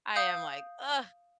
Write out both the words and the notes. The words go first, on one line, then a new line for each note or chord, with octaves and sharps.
I am like, "Ugh."
F5 D#6 G6